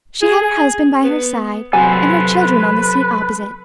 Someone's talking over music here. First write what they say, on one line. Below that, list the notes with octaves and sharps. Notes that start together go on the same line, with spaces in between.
She had her husband by her side, and her children on the seat opposite.
G#4
B3
C3 F#3 A4 B4 C5 G#5 A5